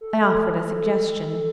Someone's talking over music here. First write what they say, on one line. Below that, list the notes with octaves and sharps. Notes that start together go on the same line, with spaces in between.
I offered a suggestion.
A4